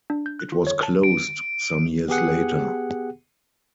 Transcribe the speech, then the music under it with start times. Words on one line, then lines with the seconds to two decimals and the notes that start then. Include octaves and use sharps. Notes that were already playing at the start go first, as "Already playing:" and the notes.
It was closed some years later.
0.10 D4
0.26 G6
0.39 F#6
0.52 F4
0.67 C#5
0.83 A5
1.03 D7
2.08 B3 G4 G#4 F#5